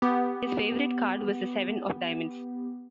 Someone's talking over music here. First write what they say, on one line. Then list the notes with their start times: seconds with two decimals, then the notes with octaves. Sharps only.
His favourite card was the seven of diamonds.
0.02 B3 G4